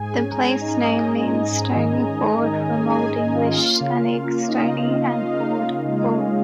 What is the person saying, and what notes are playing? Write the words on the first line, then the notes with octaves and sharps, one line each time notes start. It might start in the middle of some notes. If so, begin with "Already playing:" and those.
The place-name means 'stony ford' from Old English "stanig" 'stony' and "ford" 'ford'.
Already playing: G#2 G#4 G#5
C#4
A#5
C#4 G#4 G#5
C#4 D#4 D#5
C#4 D#4 D#5
G#2
G#2
G#2
D#3
G#2
D#3
D#3
C#4 G#4 G#5
C#4 G#4 G#5
G#2 G#4 G#5
C#4 F4 F5
A#3 F4 F5
C#3
C#3
A#3
A#3 D#4 D#5
C#3
A#3 D#5
F5
D#5
A#3 F5
D#4 D#5
C#3 F4 F5
C#3
C#3 G#3 G#4
C#4